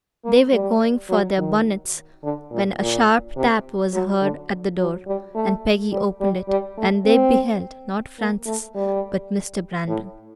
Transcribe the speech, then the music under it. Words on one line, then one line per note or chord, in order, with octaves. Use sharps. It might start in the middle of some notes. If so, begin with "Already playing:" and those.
They were going for their bonnets, when a sharp tap was heard at the door, and Peggy opened it, and they beheld, not Francis, but Mr. Brandon.
A#3
G3
F#3
D#3
D3
A#2
A#2
C3
F#3
D3
F#3
G3
A3
G3
G3
G3
A3
C4
A#3
A3
G3
A2